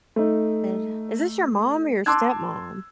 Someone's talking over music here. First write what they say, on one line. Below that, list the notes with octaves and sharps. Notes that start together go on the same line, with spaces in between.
god. Is this your mom or your stepmom?
A3 D#4
A5 C6 D6 E6 F#6 G#6